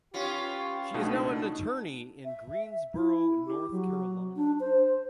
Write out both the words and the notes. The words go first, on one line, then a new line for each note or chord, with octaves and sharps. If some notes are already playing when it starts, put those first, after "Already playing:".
She is now an attorney in Greensboro, North Carolina.
B3 C#4 F4 G4
C#2 B2 A3 D4 D#4
E5
E4
G4
F#3
D4
C5